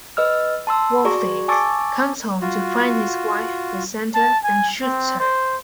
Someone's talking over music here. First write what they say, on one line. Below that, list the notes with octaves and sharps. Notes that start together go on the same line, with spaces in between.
Wolfy comes home to find his wife with Santa, and shoots her.
B4 D#5 E6 F6
A5 C6 E6
F#4 G#4 D5 A#5 C#6
G#5 A5 C#6 D6 E6 A6
F4 F#4
A5
G#5
C4
C5